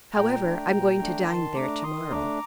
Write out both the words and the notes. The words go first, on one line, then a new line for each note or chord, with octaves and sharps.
"However, I'm going to dine there to-morrow."
A#2 G5 A#5
A3 D4
A#2
A3 D4
D#3 A5 C6
A3 D4 A#5 D6
D#3 C6 D#6
A3 D4 A#5 D6